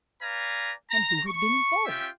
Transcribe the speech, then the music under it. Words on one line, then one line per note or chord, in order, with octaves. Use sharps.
And who had been involved?
B4 D5 F5 G#5 A#5
A#5
C#6
C#4 F4 G4 E5 G5